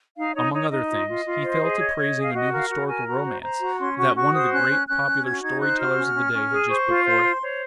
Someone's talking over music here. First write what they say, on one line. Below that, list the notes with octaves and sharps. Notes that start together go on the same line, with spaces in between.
Among other things, he fell to praising a new historical romance that one of the great popular story-tellers of the day had just put forth.
D#4 F5
D#4 C#5
D#4 C#5
D#4 D#5
F4
F4
F4
C5
G#4
C#5
C#5
G#4
F5
F#4 D#5
A#4 F5
F#4 F#5
A#4 G#5
F#4 A#5
C5
C5 A#5
F#4
C#4 C6
F#4 C#6
F#4 C#6
C5 D#6
C#4 F#6
C#4
C#4 F#6
C#4
F#4 G#6
D#4 G#6
C5 F#6
F#4 F6
C#4
C#4
C#4
G#4
C5 C#6
F4
C5 C6
C5
C5 C#5